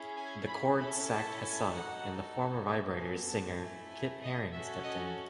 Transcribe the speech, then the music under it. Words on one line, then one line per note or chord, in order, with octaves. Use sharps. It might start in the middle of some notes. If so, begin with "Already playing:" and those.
The Chords sacked Hassett, and the former Vibrators' singer Kip Herring stepped in.
Already playing: C#4 E4 G#4
G#5
B5
C#4 E4 A4 B5
A5
G#5
D#4 F#4 A4 F#5
B3 F#4 A4 E5
G#5
A5
A3 E4 A4 G#5
G#5
D#5
C#4 F#4 A4 E5
D#5